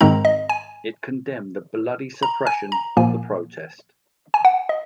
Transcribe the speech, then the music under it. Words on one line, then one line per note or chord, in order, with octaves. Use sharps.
It condemned the bloody suppression of the protest.
G#2 D#3 G#3 C4 D#4 A#5
D#5
G#5
A#5
G#5
A#5
A#2 F3 A#3 G#5
G#5
F#5
D#5